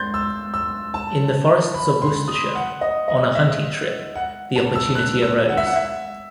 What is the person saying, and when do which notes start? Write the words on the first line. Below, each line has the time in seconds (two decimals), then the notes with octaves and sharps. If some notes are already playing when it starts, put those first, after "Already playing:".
In the Forests of Worcestershire, on a hunting trip, the opportunity arose.
Already playing: C6 G6 A6
0.14 E6
0.54 E6
0.94 A5
1.74 B5
2.02 C6
2.28 D#6
2.55 F#5
2.81 D#5
3.08 D#5
3.35 E5
4.15 F#5
4.56 A5
4.76 E6
4.95 F#6
5.22 E6
5.49 F#5
5.57 E5
5.66 F#5
5.76 E5